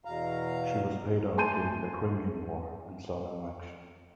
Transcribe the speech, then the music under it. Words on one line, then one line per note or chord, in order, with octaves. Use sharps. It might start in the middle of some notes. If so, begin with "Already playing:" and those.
She was paid off during the Crimean War, and saw no action.
E2 B2 F5 A#5
A3 G#5 A5 C6 G6 D#7